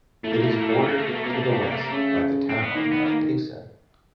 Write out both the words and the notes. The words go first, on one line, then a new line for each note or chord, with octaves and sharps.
It is bordered to the west by the town of Payson.
A2 A3
A#3
A3
A#3
A3
A#3
A3
A#3
A3
B2 A#3
A3
B2 A#3
C3 A3
A#3
A3
C3 A#3
A3
A#3
C#3 A3
C4
B3
D#3 A#3
B3
A#3